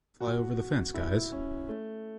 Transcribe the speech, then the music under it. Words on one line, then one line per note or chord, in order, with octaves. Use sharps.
Fly over the fence guys!
F#4
E4
C#4
A3